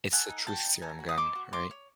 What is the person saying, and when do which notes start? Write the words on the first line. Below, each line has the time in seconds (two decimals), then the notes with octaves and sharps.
It's the truth serum gun, right?
0.12 A4 F#5 G#5
0.29 D#4
0.47 F#4 G5 A5
0.65 D#4
0.82 A4 G#5 A#5
1.00 F#4
1.09 D#6
1.18 D#4 C6 D6
1.35 F#4
1.53 C#5 C6 D6
1.71 C#5